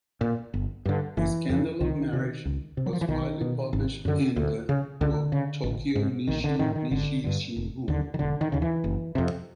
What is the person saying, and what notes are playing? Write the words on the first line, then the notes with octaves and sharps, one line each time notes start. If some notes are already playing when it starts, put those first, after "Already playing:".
The scandalous marriage was widely published in the "Tokyo Nichi Nichi Shimbun".
A#2
G1
G2 D3
F#1 E3
F2 C#3
C2 D#3
C3
C#2
C3
F#3
F3
E3
B1 D#3
B2
G#1
F#2 D3
D2
C#3
C#2 D3
C#3
A1
G#2
A#1 D#3
D3
A2 D#3
D#3
G#1 D3
G2 D3
F1
D#2 D3
D#3
E1 D3
D#3
D#2 C#3
E3
F#1
F2 C3